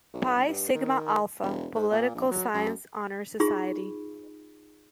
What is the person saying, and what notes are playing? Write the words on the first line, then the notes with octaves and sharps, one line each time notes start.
Pi Sigma Alpha - Political Science honor society.
B1
G1
G2
D#3
E1
G#2
A#2
A#1
F#3
F#2
D#4 F4 G#4 B5 C#6